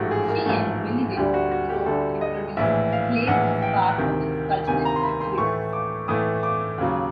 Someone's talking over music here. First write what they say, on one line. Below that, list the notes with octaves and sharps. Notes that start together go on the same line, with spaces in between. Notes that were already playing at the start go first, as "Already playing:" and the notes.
She and Milligan wrote and produced plays as part of its cultural activities.
Already playing: A1 G#2 F3 A3 F#4 G4
G#4
A#4
A1 G#2 F3 A3 A4
D2 D3 G3 G4
F#4
F#4
G4
D2 D3 G3 A4
D#5
A#1 A2 E3 E5
F5
A#1 A2 E3 F#5
G5
D2 C3 D#3
D2 C3 D#3 G#5
A#5
C6
B5
C6
A2 E3 A3 C#6
D6
A2 E3 A3 D#6
D6
D#2 C#3 F#3